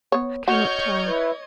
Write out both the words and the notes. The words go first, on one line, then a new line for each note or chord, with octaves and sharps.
I cannot tell.
B3 C#5
F#4 C#5 D#5 C#6 F6 G6 G#6
E4 B4